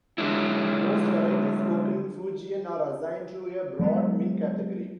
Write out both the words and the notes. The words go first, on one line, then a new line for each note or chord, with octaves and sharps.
Most varieties spoken in Fujian are assigned to a broad Min category.
D3 F#3 G#3 D4 E4
F#3 G#3 B3